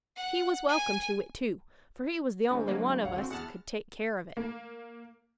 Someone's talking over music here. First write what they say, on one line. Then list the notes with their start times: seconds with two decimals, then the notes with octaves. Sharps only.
He was welcome to it too, for he was the only one of us that could take care of it.
0.16 F#5
0.69 G#5
2.50 D2 G#3 C4
2.68 F#3 A#3
3.04 A1 D#2 C#5 F5 F#5
3.16 D3 C4 F#4
3.30 E2 F#5 A5 F6
4.37 A#3